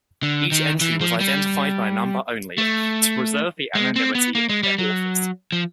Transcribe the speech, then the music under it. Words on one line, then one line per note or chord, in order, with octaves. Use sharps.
Each entry was identified by number only, to preserve the anonymity of their authors.
D3
D#3
E3
F3
G3
A3
G#3
C4
B3
A#3
G#3
G3
F#3
F3